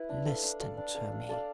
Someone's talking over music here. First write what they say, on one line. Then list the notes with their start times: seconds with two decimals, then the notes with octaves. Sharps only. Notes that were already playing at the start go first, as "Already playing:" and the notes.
'Listen to me.
Already playing: E4 B4
0.09 D4
0.25 A4 D5 F5
0.43 D4
0.60 A4 D5 F5
0.77 D4
0.94 A4 D5 F5
1.12 D4
1.29 A4 D5 F5